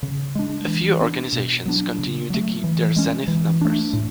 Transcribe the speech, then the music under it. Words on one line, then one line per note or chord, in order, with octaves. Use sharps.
A few organizations continue to keep their Zenith numbers.
C#3
G#3 D4
E3
B3 D4
B2
F#3 B3 D4
C#3
F#3 A3
E3
G#3 C#4
E3
A3 D4
A2